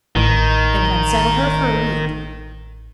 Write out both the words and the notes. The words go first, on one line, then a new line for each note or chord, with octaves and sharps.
It would unsettle her for a week.
A1 D#3